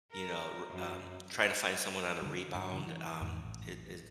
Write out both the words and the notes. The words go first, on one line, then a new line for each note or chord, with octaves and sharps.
you know, r um, tryna find someone on a rebound, um, it is
A#4
F#2
D3 G3
G2
C#3 E3
E3
E2 G#2 D#3
A1